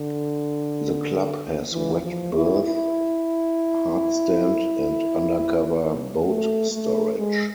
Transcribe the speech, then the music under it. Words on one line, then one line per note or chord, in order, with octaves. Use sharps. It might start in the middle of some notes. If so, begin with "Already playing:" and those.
The club has wet berth, hardstand and undercover boat storage.
Already playing: D3
E3
F3
E4
E4
A3
A3
G#3